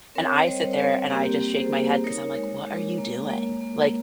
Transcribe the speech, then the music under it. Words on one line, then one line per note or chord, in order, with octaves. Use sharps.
and I sit there and I just shake my head 'cause I'm, like, what are you doing? Like
C4 A#4 C#5
C#5
G3 C5 D#5
C4 A#4 C#5
A#3 G4 A#4
A#3
G#4 C5
A#3
D#4 A#4 C#5
G#3
G#3
A#3
A#3
A#3